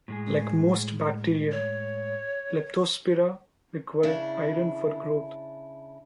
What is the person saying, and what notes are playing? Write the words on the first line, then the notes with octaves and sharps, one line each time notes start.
Like most bacteria, "Leptospira" require iron for growth.
A2 G#3 G#4
C#5
C#3 D4 E4